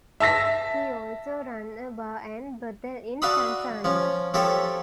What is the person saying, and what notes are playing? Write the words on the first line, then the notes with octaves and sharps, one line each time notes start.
He also ran a bar and brothel in Tanzania.
E5 A5 E6 A#6 B6
D4 F#4 E5 F5 B5 D#6
F3 C#4
F3 G4 A4 C#5 E5